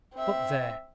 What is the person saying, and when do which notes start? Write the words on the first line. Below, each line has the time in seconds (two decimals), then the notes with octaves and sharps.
But there!
0.14 C4 E5